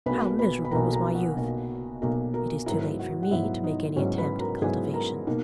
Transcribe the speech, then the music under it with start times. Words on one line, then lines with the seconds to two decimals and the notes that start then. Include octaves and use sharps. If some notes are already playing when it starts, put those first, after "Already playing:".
How miserable was my youth! It is too late for me to make any attempt at cultivation.
0.06 B1 B2 A#3 B4 B5
0.39 B4 B5
0.65 B5
0.71 B1 B2 A#3 A#4 A#5
0.93 A#4 A#5
1.15 F#4 F#5
1.36 B1 B2 A#3
2.02 B1 B2 A#3 A#4 A#5
2.34 A#4 A#5
2.66 G#2 F#3 B3 E4 A#4 A#5
2.99 F#4 F#5
3.23 F#5
3.31 G#2 F#3 B3 E4 E5
3.64 D#4 D#5
3.96 G#2 F#3 B3 C#4 E4 C#5
4.18 B4 B5
4.40 A#4 A#5
4.61 G#2 F#3 B3 E4 G#4 G#5
4.94 A#4 A#5
5.27 B2 A#3 D#4